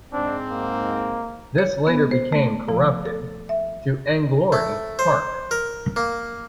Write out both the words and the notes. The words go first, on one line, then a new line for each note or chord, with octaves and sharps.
This later became corrupted to Englorie Park.
G#2 C4 D4
A#3
C#5
B3
C5
A3
F3
A4
E5
A3
C5
A#4
A#3